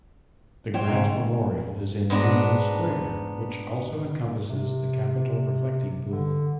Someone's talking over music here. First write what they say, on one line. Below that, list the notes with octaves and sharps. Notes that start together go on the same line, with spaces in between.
The Grant Memorial is in Union Square, which also encompasses the Capitol Reflecting Pool.
C5 C#5 G5
G#2
G#2 B3 D4 A#5
C3
D3